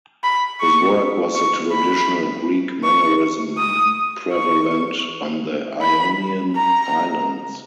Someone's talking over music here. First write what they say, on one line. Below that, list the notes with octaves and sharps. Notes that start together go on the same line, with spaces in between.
His work was the traditional Greek mannerism prevalent on the Ionian Islands.
B5
C#6
C#6
B5
C#6
D#6
C#6
B5
A#5